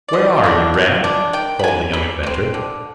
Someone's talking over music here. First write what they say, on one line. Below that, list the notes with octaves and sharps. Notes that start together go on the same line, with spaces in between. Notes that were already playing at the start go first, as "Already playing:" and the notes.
"Where are you, Rad?" called the young inventor.
D5
B2 D#5
B3 D4
D#3
G#3 D4
D#3 G5
B5
G#3 D4 G#5
D3 B5
G#3 C4
D3